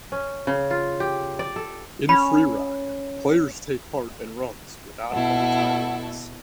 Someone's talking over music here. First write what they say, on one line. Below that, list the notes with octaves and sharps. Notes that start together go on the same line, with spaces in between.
In Freeride, players take part in runs without any time limits.
C#4
C#3
F4
G4
D5
A4
C#4 B5
B2 E4 A4 F#5